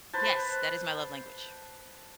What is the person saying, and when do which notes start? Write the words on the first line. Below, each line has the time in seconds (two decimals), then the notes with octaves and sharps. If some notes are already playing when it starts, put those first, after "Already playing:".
Yes. That is my love language.
0.13 B4 C5 A5